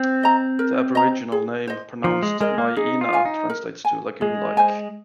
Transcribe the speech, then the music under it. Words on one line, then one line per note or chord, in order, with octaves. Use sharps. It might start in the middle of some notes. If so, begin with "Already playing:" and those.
The Aboriginal name, pronounced 'my-enna' translates to 'lagoon-like'.
Already playing: C4
D#5 A#5
A#4
D#5 A#5
G#4
C5 D#5
F3 D#4
G#3
G#3 A#4 D#5
A#3
D#4 G#4
F4
F5 G#5
D#4
A#4
G#5
G#3 G#4
C5 G#5